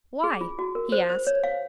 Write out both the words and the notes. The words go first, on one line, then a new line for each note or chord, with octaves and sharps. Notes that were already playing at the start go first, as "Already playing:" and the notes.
"Why?" he asked.
G#4
F4
F#4
A#4
C5
C5
C#5
F5